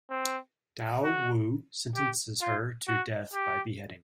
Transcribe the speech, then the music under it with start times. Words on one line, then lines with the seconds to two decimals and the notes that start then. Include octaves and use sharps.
Tao Wu sentences her to death by beheading.
0.10 C4
1.03 F#4
1.96 G4
2.41 F4
2.88 F#4
3.33 G4